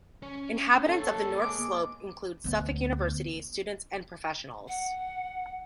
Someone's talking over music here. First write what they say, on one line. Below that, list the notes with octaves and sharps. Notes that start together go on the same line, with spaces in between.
Inhabitants of the north slope include Suffolk University students and professionals.
C#4
A#3 A4 C#5
G#3 D6
D2 B3
F#5